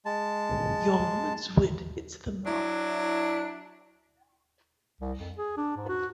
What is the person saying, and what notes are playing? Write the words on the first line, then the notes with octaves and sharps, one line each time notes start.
Your woman's wit hits the mark.
G#3 A5
F#3 D4 E4
C2
F2
G#4
D4
G#2
F#4